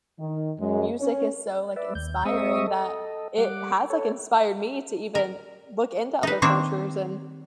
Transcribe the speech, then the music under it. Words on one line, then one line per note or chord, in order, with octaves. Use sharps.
music is so, like, inspiring that it has, like, inspired me to even look into other cultures and
D#3
F#2 G#3
C#4
B4 D5 E5
D#2 G6
G#3 C4 D#5 E5 C#6 D#6
A4 D#5
G3 F#5 D6
A4 C#5
A#4
D#4 B4
D#3 A#3 C4 D4 C#5